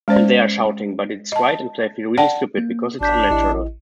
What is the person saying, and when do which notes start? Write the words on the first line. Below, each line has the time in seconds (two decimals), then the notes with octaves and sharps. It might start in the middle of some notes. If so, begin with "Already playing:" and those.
And they're shouting, but it's quiet and they feel really stupid, because it's unnatural.
0.08 G#3 C#4 C5 D5
1.32 D#5 A5
2.18 D5 F#5 G5 A5
2.58 A#3
3.01 G#1 D4 G6 B6
3.30 A1 E4 D#5